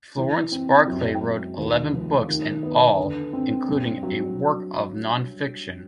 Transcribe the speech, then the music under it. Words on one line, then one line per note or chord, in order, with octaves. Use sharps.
Florence Barclay wrote eleven books in all, including a work of non-fiction.
E3
C4
F#2
G#3
D#2
F1
D#3
B3
D3
C4
G2
F#3